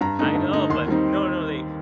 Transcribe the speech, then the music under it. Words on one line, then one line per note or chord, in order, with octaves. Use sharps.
I know, but no, no, they
G2 A#5
D3 A3 D#4
G2
D3 A3 D#4
D#2 C6
D#3 G3 C4 D#4